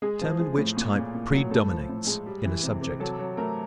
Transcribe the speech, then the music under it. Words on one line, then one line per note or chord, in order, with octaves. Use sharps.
Determine which type PREDOMINATES in a subject.
G#3 G#4
F3
G#3
A2
A#2
A#2
A#2
F#3
A2 A4
F3
A2
G#3
G3
E3
C3
C3
F#3 A4
F#3
A3 A#4